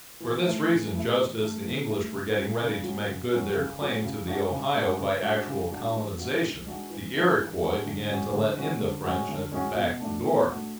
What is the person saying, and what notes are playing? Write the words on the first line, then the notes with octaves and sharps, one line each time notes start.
For this reason, just as the English were getting ready to make good their claim to the Ohio by actual colonization, the Iroquois began to let in the French at the back door.
E3
A3 E4
E3
A3 E4
E3
A3 E4
E3
A3 E4
C#3
F#3 C#4
C#3
F#3 C#4
C#3
F#3 C#4
C#3
F#3 C#4
C#3
G#3 D4 F#4
C#3
G#3 D4 F#4
C#3
G#3 D4 F#4
C#3
G#3 D4 F#4
E3
G#3 D4 F#4
E3
G#3 D4 F#4
E3
G#3 D4 F#4
E3
G#3 D4 F#4
D3
G#3 C#4 F#4
D3
G#3 C#4 F#4
D3
G#3 C#4 F#4
D3
G#3 C#4 F#4
B2
A3 D4 F#4
B2
A3 D4 F#4